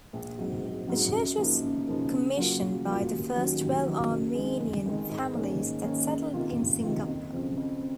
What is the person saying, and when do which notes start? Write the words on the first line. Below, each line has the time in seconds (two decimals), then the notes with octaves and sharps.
The church was commissioned by the first twelve Armenian families that settled in Singapore.
0.13 A#1
0.39 G#2 F#3 C4
0.63 A#1
0.87 G#2 F#3 C4
1.13 F#2
1.38 C#3 F3 A#3 D#4
1.62 F#2
1.87 C#3 F3 A#3 D#4
2.12 C#3
2.37 F#3 A#3 F4
2.62 C#3
2.86 F#3 A#3 F4
3.11 D#2
3.36 D#3 F#3 C#4 F#4
3.61 D#2
3.86 D#3 F#3 C#4 F#4
4.11 F#1
4.35 F2 D#3 G#3
4.60 F#1
4.85 F2 D#3 G#3
5.10 G#2
5.34 D#3 A#3 C#4
5.59 G#2
5.83 D#3 A#3 C#4
6.08 C#2
6.33 C3 D#3 A#3 F4
6.59 C#2
6.83 C3 D#3 A#3 F4
7.08 F2
7.33 C#3 F3 C4
7.57 F2
7.82 C4